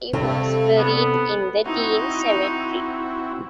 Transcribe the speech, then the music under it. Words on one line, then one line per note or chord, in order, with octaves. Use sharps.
He was buried in the Dean Cemetery.
G2 C3 A4
B3
C4 D#4 E4 F#4